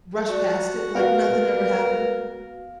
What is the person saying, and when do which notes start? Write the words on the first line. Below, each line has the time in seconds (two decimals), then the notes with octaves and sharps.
rush past it like nothing ever happened.
0.29 F#4 D5
0.95 B3 F#4 A#4 B4 F5